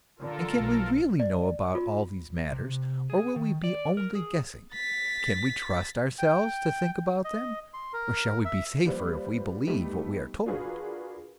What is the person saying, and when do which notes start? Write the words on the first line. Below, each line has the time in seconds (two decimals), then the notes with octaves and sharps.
And can we really know about all these matters, or will we be only guessing? Can we trust ourselves to think about them, or shall we be safer if we believe what we are told?
0.19 D3 F4 A4 A#4
0.58 B1
1.20 D5
1.75 F4
2.52 C3
3.10 G#4
3.36 D#3
3.64 D5
3.97 A#4
4.15 G#4
4.73 A6 B6
6.19 G5
7.25 D#5
7.74 C6
7.93 A#4
8.45 E5
8.85 F3 G3 A#3 B4 C5 D5
9.67 G3 A3 B3 D#4 G4
10.46 D4 F4 F#4 G#4 A#4 B4